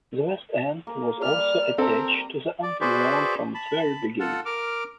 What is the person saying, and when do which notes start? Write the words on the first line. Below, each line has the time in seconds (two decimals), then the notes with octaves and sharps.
The Westend was also attached to the underground from its very beginning.
0.87 A#3
1.23 G3 G4 D5 F6
1.78 C4 A4 A#4
2.63 D5
2.81 F#4 G#4 B4 C5 D5 E5
3.54 A5 B5
4.19 F4 A4 F#5
4.46 A#4 D6 F6